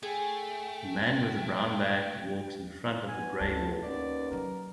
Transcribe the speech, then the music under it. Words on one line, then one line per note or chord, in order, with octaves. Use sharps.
A man with a brown bag walks in front of a gray wall.
A3 G#4 G5
G#2 C4 B4 F#5 G#5
D2 A2 A5
D#2 C#4 B4 D5 F#5
D#3 F#3 A#4